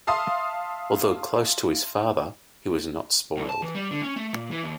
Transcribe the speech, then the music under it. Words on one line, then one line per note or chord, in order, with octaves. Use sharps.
Although close with his father, he was not spoiled.
E5 F5 A5 C6 D#6
C2
A5
E3
G3
D3
C#4
A3
A#2
E3
D#2